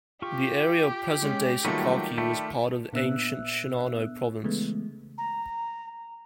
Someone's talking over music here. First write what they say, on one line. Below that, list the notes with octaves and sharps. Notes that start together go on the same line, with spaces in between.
The area of present-day Sakaki was part of ancient Shinano Province.
F4 G4 C#6
G#3 C#4
D#3 F#3 G3 A3 A#3 F4 B4
A3 D5 G5 B5
A#2 B3 D4 E5 E6 F#6
C#3 E3 G#3 A3 B3
A#5